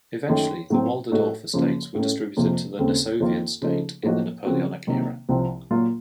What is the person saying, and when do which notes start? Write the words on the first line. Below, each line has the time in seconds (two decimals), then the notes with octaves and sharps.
Eventually the Walderdorff estates were distributed to the Nassovian state in the Napoleonic era.
0.29 F#2 D#3 A3
0.70 A2 F#3 C4
1.12 A2 A3 D#4 F#4
1.54 F#2 C#3 F3 A#3
1.95 A2 A3 C#4
2.37 F2 C3 F3 A#3
2.79 D#2 C#3 A3 C4
3.20 F2 D#3 A#3 F4
3.62 C#3 F3 A3 D#4
4.03 A2 F3 A#3 D#4 F#4
4.45 C#3 F3 C4 F#4
4.87 C3 D#3 F#3 A#3
5.29 C2 C3 F3 C4
5.71 A#2 F#3 A#3 F4